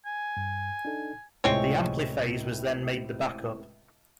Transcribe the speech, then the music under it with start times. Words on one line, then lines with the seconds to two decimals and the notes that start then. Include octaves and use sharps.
The Ampliphase was then made the back-up.
0.06 G#5
0.37 G2
0.85 D4 D#4 A4
1.44 C#2 A2 C3 G#3 C4 C#5